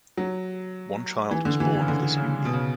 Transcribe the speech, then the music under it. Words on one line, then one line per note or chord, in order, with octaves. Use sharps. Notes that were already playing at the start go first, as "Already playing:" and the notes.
One child was born of this union.
F#3
E3
D3
E3
E3
C#3
D3
C#3
B2
C#3